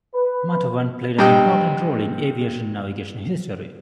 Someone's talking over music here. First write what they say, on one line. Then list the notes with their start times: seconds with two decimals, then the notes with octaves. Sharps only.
Matawan played an important role in aviation navigation history.
0.15 B4
1.18 G2 C3 G4 D#5 G5